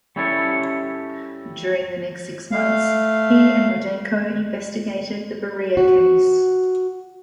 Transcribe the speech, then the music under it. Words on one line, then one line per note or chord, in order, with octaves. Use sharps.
During the next six months, he and Rudenko investigated the "Beria Case".
G3 C#4 E4 G4 A4 C#5
A3 F5
F#4